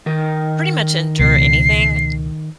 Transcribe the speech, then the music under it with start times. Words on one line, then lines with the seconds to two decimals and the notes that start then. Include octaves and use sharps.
pretty much endure anything
0.06 D#3 A#4
1.19 C#2 B2 C7